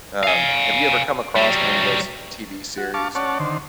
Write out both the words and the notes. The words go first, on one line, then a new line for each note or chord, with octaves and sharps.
um, have you ever come across any of those TV series
F5 G#5
F#3 G3
F#4
F5 A5 C#6 D6
C#4 C#5 D5 F#5 A5
D3 D#3 C5